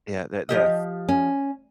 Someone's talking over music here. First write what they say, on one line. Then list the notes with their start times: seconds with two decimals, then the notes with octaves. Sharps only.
Yeah, that th yeah
0.49 F3 G4 D#5
1.09 C#4